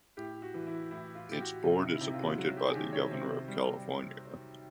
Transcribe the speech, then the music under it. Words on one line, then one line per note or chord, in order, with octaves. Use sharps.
Its board is appointed by the Governor of California.
A2 G4
F#4
E3
E4
A2 E4
F4
A2 G4
F#4
C3 F4
D#4
E4
C3
F4
F#4
F4
F#3 F#4
G4
G#4
D#3 G4
C#5
C3 C5
G3